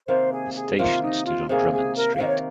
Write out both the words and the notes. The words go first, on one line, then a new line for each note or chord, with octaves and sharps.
The station stood on Drummond Street.
C3 D#3 A#3 C5
G#4
G#4
C3 D#3 A#3 F4
D#4
F4
C3 D#3 A#3 G#4
G#4
A#4
F5
C3 D#3 A#3 D#5
C#5